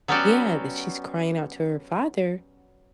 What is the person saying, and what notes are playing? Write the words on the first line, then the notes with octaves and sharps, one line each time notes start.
yeah, that she's crying out to her father
F#3 B3 C#4 F#4 G4 D5